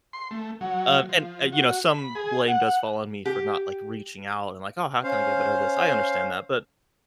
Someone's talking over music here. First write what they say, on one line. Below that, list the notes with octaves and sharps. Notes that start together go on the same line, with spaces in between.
Um, and, uh, you know, some blame does fall on me for not, like, reaching out and, like, "Oh, how can I get better at this?" I understand that, but
C6
A3
F#3
F3
F#4
B5
G#4
F#5
G4
C#4 C5 F5